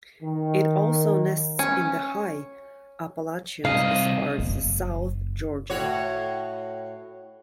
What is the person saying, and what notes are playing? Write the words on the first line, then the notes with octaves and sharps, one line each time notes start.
It also nests in the high Appalachians as far south as Georgia.
D#3
C#4
C2 D#5 F5
F#1
A2 F#4 C#5